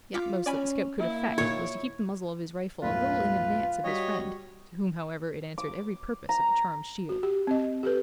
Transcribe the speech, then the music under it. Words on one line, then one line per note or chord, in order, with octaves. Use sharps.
The utmost that the scout could effect, was to keep the muzzle of his rifle a little in advance of his friend, to whom, however, it answered every purpose of a charmed shield.
F4 D6 B6 C#7
C#4 D5 G#5 B5
A#3 E4
A#2 D#3 C#5
B1 F#2 A2 F4 B4
G3 F#4 C#5 D#5 B6
D6
A#5
F#4
G4
C4 D#5
G4 A4 B4